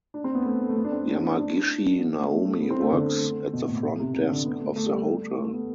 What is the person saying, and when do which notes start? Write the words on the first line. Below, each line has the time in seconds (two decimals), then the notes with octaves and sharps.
Yamagishi Naomi works at the front desk of the hotel.
0.14 D4
0.24 C4
0.35 B3
0.45 A3
0.69 A3
0.76 B3
0.84 D4
0.92 C4
1.07 D4
1.22 E4
1.38 D4
1.98 B3
2.14 A3
2.30 A3
2.45 A3
2.61 B3
2.70 C4
2.81 A3
2.92 D3
3.53 B2
3.68 A2
3.99 C3
4.14 C3
4.30 D3
4.45 B3
4.60 A3
4.76 A3
4.86 G3
4.97 A3
5.38 A3
5.53 B3